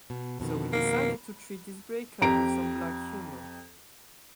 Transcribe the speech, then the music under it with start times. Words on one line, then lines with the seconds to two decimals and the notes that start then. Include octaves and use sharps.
So we decided to treat this breakup with some black humor.
0.10 B2
0.40 F2 B2 D#3
0.73 A#3
2.22 F2 G4 A#5 D7